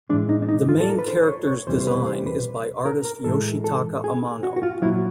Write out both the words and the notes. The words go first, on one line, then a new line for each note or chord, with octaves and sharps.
The main character's design is by artist Yoshitaka Amano.
A2 E3 G#3 D4
D#4
D4
D#4
F4
A4
A#4
B4
C5
C5
C#5
C#5
E2 C3 E3 G3 C5
C5
B4
C5
B4
A#4
A#4
A2 E3 G#3 A4
A4
G#4
F#4
F#4
F4
A#2 F#3 E4